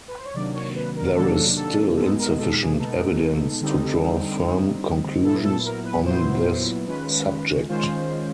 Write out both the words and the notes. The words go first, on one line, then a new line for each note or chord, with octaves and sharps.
There is still insufficient evidence to draw firm conclusions on this subject.
B4
C5
C#5
C3 D#3 F#3 A#3 D4 D5
C#5
B4
A#4
C3 D#3 F#3 A#3 D4 A4
A4
B2 G#3 B3 D#4 A4
A#4
A4
G#4
B2 G#3 B3 D#4 A4
D3 G3 C4 D#4
D3 G3 C4 D#4
A#2 F#3 B3 E4 A4
A4
A#4
B4
A#2 F#3 B3 E4 C5
D#3 G#3 C#4 F4 B4
D#3 G#3 C#4 F4 C5